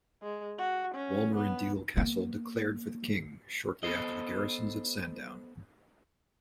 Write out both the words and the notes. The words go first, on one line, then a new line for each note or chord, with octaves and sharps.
Walmer and Deal Castle declared for the King, shortly after the garrisons at Sandown.
G#3
F#4
C#4
B3
A#3 B3
B3 A4 C5 D#5